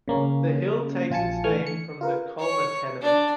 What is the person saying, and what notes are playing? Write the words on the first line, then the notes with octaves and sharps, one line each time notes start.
The hill takes its name from the "Colmer Tenement".
C#3 A#3 C#4
A#1 F4 G#5 A5 C#7
E3 A3 G#5 C#6 F6
C#7
F4 A#4 B4
C#5 C#6
D4 D5